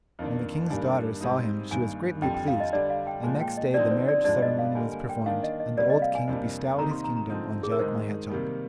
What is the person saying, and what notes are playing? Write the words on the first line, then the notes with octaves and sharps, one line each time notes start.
When the King's daughter saw him she was greatly pleased, and next day the marriage ceremony was performed, and the old King bestowed his kingdom on Jack my Hedgehog.
F2 D#3 A#3 D4
G2 D#3 G3 A#3 D4 G#5
G#2 G3 C4 D#4
G2 D#3 A#3 G#5
F2 D3 G3 G5
G5
F5
D#5
D3 G3 D4 D5
F5
G5
A#2 F3 G#3 G#5
G5
D#5
D3 F3 C4 D#4 D5
C5
D5
G2 F3 G#3 D4 D5
D#5
F5
D3 G3 A#3 G#5
G#5
G5
D#3 A#3 D4 F5
D#5
D#5
C3 G3 A#3 D5
D#5
F5
G#5
F2 C3 G3 A#3 D4
C3 D#3 A#3 D#4 A#5
C6
A#5
A#5
D3 F3 C4 D#4
G#4
A#4
G#2 D#3 G#3 D#4 C5
C3 D#3 G3 A#3